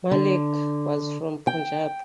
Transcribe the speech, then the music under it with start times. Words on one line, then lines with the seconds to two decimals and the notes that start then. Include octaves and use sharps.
Malik was from Punjab.
0.11 D3
1.47 G5